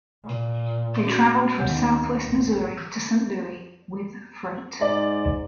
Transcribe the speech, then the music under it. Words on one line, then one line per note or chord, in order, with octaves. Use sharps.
They traveled from southwest Missouri to Saint Louis with freight.
A#2
C#4 F#4
D#2 B3 C#5 F#5
A1
G#2 D5